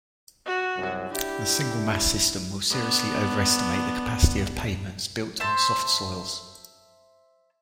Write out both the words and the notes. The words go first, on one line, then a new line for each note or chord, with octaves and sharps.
The single-mass system will seriously overestimate the capacity of pavements built on soft soils.
F#4
C2 F#2
D4 E4 G4
B3 D4
C5 E5 A5 C6